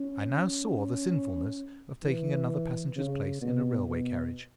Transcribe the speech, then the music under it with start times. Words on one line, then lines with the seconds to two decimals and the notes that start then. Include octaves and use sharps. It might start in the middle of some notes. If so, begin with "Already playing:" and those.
I now saw the sinfulness of taking another passenger's place in a railway-carriage.
Already playing: C#4
2.03 E3
2.96 C#3
3.42 B2
3.88 B2